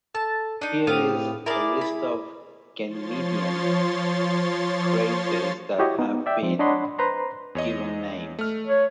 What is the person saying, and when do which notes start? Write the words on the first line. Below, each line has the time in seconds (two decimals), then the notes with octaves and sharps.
Here is a list of Ganymedean craters that have been given names.
0.15 A4 A5
0.61 D4 D#4 D#5
0.87 A2 B3 C4 G4 F5 D#6
1.46 E4 G#4 A#4 D5
1.81 B5
2.86 F3 C#5 C6 A6
5.79 E4 F#4 G4 C#5 D#5
5.99 B3 D#4
6.26 D5 E5 G5
6.42 F3 C4
6.59 D4 C#5 D#5 F#5 B5 C6
6.98 B4 C5 A#5 C6
7.55 E2 C#5 D#5
8.39 A3 F6
8.67 C#5